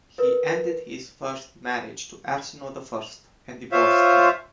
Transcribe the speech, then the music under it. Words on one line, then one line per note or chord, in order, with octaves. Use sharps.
He ended his marriage to Arsinoe the First and divorced her.
A#4 B4
F4 C5 C#5 E5 F5